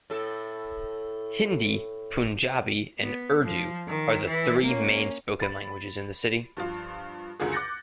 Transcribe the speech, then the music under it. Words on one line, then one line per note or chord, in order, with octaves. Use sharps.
Hindi, Punjabi and Urdu are the three main spoken languages in the city.
A2 A4
B3
F3
D#3
E3
A#3 C#4
B5 A6
G2 F3 F4
C#2 F#2 D3 F4 G#4
D6 F#6 G6 A6 A#6 C#7